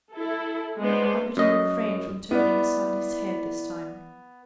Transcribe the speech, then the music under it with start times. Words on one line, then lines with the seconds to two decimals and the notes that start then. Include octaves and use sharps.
How could he refrain from turning aside his head this time?
0.16 E4 A4
0.80 G#3 B3 D4 C5
1.37 F#2 D#5
2.31 B3 E4 D5